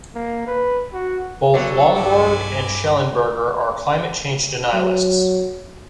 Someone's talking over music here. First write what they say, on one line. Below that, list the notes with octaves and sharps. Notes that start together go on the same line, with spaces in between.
Both Lomborg and Shellenberger are climate change denialists.
A#3
B4
F#4
D3 F#3 B3 A4
B1 G2 E4 G#5 D6
F#3